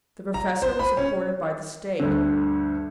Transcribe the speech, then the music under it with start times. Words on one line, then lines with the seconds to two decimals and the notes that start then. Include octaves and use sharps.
The professor was supported by the State.
0.34 A#5
0.62 C5
0.79 B5
0.97 C#4
2.00 D2 G2 D3